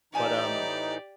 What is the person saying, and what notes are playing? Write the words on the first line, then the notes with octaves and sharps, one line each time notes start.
But, um
A2 E3 D#4 F4 G4 D5 G#5 A5